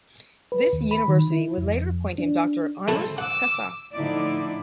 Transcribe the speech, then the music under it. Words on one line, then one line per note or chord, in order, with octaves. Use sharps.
This university would later appoint him doctor honoris causa.
B4
D#2
B5
D#3
E4
F2
F2
D4
A3 C4 E4 A4
F#5 D6 E6
A2 D3 F3 D#4 E4 D5